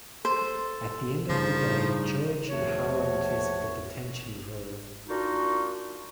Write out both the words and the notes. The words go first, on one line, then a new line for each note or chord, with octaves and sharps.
At the end of the day, George and Harold visit the detention room.
A4 C5
G2 C#3 F3 D#4
E2 F3 A3 F#4 C#5
A#3 D4 D#4 F4 F#4